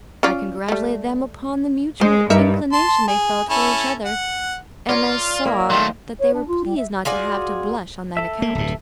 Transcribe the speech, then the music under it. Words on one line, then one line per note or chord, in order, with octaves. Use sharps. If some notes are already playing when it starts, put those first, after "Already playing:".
I congratulated them upon the mutual inclination they felt for each other, and I saw that they were pleased not to have to blush on that account.
C#4 F4 D5
G3 A3
G#3 C5
G2 D#4 A#4 E5
A5 C6
G#4
C#4 E4 A4
F#5
F4 A#4 C#5 D5
A#3 E4 A#4
D#3 F#3 A3 C6
C#5
D4
F4
G3
E5
F4 F#4 G#4 D5
A4 E5
A#3
D1 G2